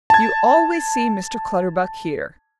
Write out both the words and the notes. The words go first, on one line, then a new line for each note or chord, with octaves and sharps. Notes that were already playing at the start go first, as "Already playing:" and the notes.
You always see Mr. Clutterbuck here.
A5 G#6